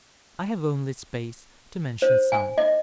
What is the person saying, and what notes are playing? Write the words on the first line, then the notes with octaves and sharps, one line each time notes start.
I have only space to mention some.
C5
G#5
D#5